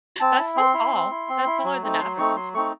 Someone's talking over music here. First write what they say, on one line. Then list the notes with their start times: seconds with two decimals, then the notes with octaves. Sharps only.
That's so tall. That's taller than average.
0.20 C4 A5
0.39 E4
0.56 C4 C6
0.74 E4
0.93 C4
1.11 E4
1.29 C4
1.47 E4
1.64 F#3
1.82 A3 C4 D#4
1.93 A5
2.00 F#3 C6
2.18 A3 C4 D#4 C#6
2.36 F#3 C6
2.54 A3 C4 D#4 C#6